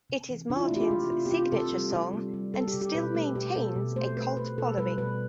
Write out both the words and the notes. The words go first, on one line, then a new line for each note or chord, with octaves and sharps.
It is Martin's signature song and still maintains a cult following.
C3
E3
C3 D4
F4
E4
A3 E4
G4
F4
C3 G4
C3 F4
G4
C3 F4
G4
C3 A4
G3
C3
G3
G3
G3 A4
G4
C3
G4
B2 B4
A3 A4
B2 G4
B2 A4
B2
A3 C5
A3 B4
A3 B4
B2 A4
G3 B4
B2 B4